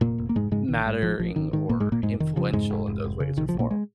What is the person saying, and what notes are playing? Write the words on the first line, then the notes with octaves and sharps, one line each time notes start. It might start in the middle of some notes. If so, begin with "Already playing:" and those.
mattering or influential in those ways or form.
F1 A#2 A#3
F1
A#3
F1 G#2 G#3
G#2 C#3 G#3
A#1 D#3
G#2
A#1 F3
A#1 F3
G#1 D#3
G#2 D#3
G#1 A#2 A#3
G#2 G#3
G#1
A#2 A#3
F1 G#2 G#3
F1 D#3
C#3 F3
F2 G#2 G#3
F1
F1
F1
C#3
A#1 D#3
F3
A#1
A#2 A#3
G#3